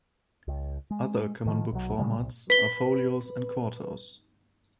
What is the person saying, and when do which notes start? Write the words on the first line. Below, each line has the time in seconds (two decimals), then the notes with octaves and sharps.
Other common book formats are folios and quartos.
0.48 C#2
0.91 G#3
1.46 A2 D#3 F3
1.72 B1 F#3
1.98 A#2 C#3 G3 G#3
2.18 C2
2.50 B4 B6 G7